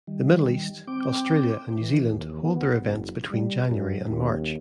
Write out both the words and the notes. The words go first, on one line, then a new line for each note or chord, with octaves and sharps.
The Middle East, Australia and New Zealand hold their events between January and March.
D#3 G3
C4 G5 D6
E3
D#2
B3
F#1
G3
F#2
D#2